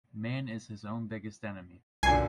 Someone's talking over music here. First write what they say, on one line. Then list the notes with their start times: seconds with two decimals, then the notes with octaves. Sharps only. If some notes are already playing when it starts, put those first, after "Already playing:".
Man is his own biggest enemy.
2.03 C2 F#2 A#2 D3 G#5 C7